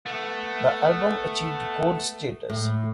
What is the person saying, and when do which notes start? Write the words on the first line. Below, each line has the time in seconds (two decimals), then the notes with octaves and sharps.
The album achieved gold status.
0.06 A3 B3
2.50 A2